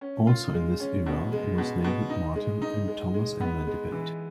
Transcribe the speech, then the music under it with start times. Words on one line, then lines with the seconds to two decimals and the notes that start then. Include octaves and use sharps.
Also in this era was the David Martin and Thomas Emlyn debate.
0.01 C#4
0.27 F4
0.54 G#3
0.80 C#4
1.06 B2
1.32 G#3
1.58 B2
1.84 B2
2.10 D#4
2.35 G#3
2.62 D#4
2.88 G#3
3.14 G#3
3.41 B3
3.67 G#3
3.92 E3